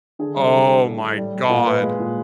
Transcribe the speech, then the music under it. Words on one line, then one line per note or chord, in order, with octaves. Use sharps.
Oh, my god.
D3 G#4
G3
A4
G3
G3
A2
A2
G3
G3
A#2
A#2 B4
G#3
A#2